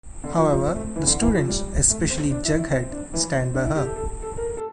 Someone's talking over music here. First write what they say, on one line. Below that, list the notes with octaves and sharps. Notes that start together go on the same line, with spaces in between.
However, the students-especially Jughead-stand by her.
D3
F3
F3
C4
A3
E3
D3
E3
F3
G3
A3
C4
D4
E4
E4
C4
D4
E3
C4
D4
E4
G4
A4
A4
A4
A#4
A4